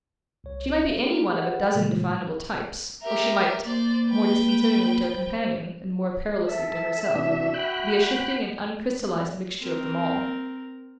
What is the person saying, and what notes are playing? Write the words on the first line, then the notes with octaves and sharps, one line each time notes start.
She might be any one of a dozen definable types, or she might--more disconcertingly to her companion and more perilously to herself--be a shifting and uncrystallized mixture of them all.
C2 C#5
E5 F5
D#4 G4 A4 A#4
G4 G#4 B4 D#5 F#5
A#2 C#3 E3 G3 G#3
G4 A#4 E5
A#3 C5 D5
B4 G5
C5
A4 E5
C3 E3 D4 F#4
G5 B5 F#6
C4 A#4